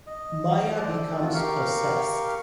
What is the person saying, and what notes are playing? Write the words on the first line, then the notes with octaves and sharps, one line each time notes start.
Maya becomes possessed.
D#5
A4 C5 D5
A3 C4 F4 F#4
G4 A#4 F5 C#6